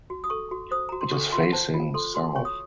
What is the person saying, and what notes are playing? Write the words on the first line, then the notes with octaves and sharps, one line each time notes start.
It is facing south.
F#4
D#6
A4 C#6
F#4
C5 D#6
F#4 A#5
C6
A4 C#6
F4 C6
F#5
C5 A5
F4
A4 C6
F#4 C6
C#5 C#6
D#6